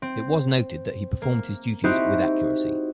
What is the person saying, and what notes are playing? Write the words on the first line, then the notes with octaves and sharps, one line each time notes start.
It was noted that he performed his duties with accuracy.
C4
A#3
C4 D#4 E4 F#4 G4 C5